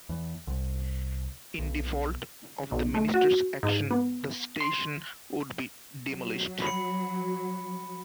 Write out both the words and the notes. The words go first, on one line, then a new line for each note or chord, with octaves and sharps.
In default of the Minister's action, the station would be demolished.
E2
C2
B1
B1
A3
F#4
G#2
B3
C6
F#3
B5 C#7